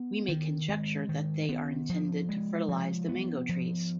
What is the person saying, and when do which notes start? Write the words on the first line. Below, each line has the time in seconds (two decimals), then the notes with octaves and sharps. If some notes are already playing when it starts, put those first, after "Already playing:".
We may conjecture that they are intended to fertilize the mango trees.
Already playing: B3
0.29 D#3
0.69 G#3
1.09 D#3
1.49 B3
1.89 F3
2.29 G#3
2.68 F3
3.08 B3
3.49 F3